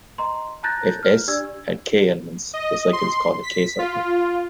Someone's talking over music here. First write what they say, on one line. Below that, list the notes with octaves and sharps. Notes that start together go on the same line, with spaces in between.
If "S" has "k" elements, the cycle is called a "k"-cycle.
D#5 A#5 C6
A5 A#5 F#6 G6 A6 A#6
F6
D4 G4 D5 E6 G#6
D#5
C6
B6
F4